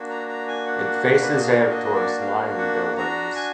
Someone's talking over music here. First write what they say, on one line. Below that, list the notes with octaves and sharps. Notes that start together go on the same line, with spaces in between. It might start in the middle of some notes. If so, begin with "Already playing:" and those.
It faces out towards Lion Buildings.
Already playing: A#3 D4 F#4
A#5
A#5
G#5
F#5
B4
D5
D#5
F5
D#5
D5
F5
F#5
D4 F#4 A#5
G#5